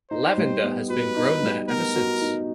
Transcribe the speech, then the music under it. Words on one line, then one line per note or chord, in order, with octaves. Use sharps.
Lavender has been grown there ever since.
D#4 C5
G3
B3
F#4 B4
D#4
G3
B3 A#4
F#4
D#4